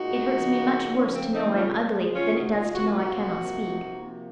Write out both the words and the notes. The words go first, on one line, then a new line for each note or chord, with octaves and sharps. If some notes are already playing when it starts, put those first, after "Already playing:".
It hurts me much worse to know I am ugly than it does to know I cannot speak.
Already playing: A#2 G#3 D#4 F#4
F2 C#3 F3 A#3
F2 C#3 F3 A#3 C#4
C4
C4 D#4
D#2 C#3 G#3 C#4 F4
G#4 C5
D#2 C#3 G#3 C#4 F4
D#4 F#4
F4 G#4
C3 F3 A#3 F#4
F4
D#4 F#4
C3 F3 A#3
C3 F3 A#3